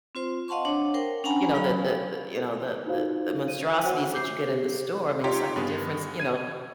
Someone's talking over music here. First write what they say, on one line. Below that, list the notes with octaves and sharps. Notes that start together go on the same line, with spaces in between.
you know, the the the you know, the the the monstrosities that you get in the store, I mean, it's like the difference you know,
C4 F4 C5
D#5 F5 F#5 A5 C6 C#6
D4 C#5 F#5 D6
A#4 C5 G5
C#4 D4 F#5 G#5 A#5 B5
F#3 F5 G5 B5
D#4 F4 F#4 C5 F5
D#7
F#4 C5 C#5 F#5
D6 G6 C7
G4 G#4 C5
D#4 F4 G4 C#5 A#5 C6
G2 B3 G#4
G#6 D#7